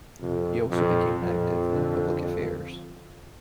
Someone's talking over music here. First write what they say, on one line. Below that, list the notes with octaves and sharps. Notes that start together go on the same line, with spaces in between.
He also became active in public affairs.
F2 C3
F2 A#2
F2 A#2
D3